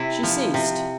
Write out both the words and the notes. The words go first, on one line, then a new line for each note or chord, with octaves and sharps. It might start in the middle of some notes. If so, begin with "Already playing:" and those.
She ceased.
Already playing: C3 E4
F3
C3